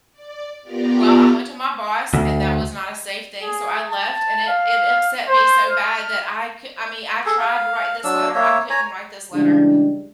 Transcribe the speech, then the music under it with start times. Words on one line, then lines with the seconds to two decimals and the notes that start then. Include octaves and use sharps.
Well, I went to my boss, and that was not a safe thing, so, I left, and it it upset me so bad that I c I mean, I tried to write this letter, I couldn't write this letter.
0.12 D5
0.63 B3 F4 G4 A#4 D5 A#5
2.14 D2
3.42 G#4
3.90 A5
4.48 F5
5.29 C5
5.71 F6
7.25 G#4 A4
7.40 F5
8.04 F#3 D4 E6
8.35 A#3 C#5 E5
8.70 C#5 G#5 A#5
9.33 C#3 E3 G3 G#3 D4